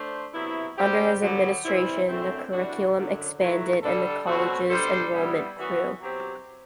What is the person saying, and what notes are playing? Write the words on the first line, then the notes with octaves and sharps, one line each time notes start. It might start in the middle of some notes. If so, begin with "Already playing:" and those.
Under his administration, the curriculum expanded and the college's enrollment grew.
Already playing: A3 D4 C5
C3 F#3 B3 E4
D3 G3 C4 G4
F#2 D3 F#3 B3
E3 G3 C4 E4
F#2 D3 A3 C4
E3 G3 D4 F#4
F#2 D3 F#3
A2 F#3 A3 E4 B4
D3 G3 D4 A4
B2 F#3 A3 C4 F#4
B2 G3 D4 A4 C5
G3 B3 E4
F#2 E3 B3 F#4
B2 F#3 C4 G4